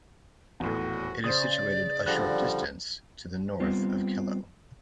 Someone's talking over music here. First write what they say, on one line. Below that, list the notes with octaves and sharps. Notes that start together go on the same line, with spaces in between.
It is situated a short distance to the north of Kelloe.
D#1 E2 A2 F#4
C#3 C5 D5 D#6
D3 F3 G3 F#6 A#6
G3 B3 C4 F4